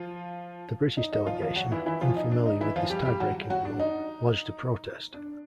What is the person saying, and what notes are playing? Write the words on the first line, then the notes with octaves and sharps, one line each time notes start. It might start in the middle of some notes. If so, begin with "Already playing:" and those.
The British delegation, unfamiliar with this tie-breaking rule, lodged a protest.
Already playing: F3 F4
D#4
D#4
F3 F4
F3 F4
F#3 F#4
E3 E4
E3 E4
F3 F4
D#4
D4
D#4
E3 E4
F3 F4
G3 G4
G3 G4
F#3 F#4
F#3 F#4
D4
D#4
D4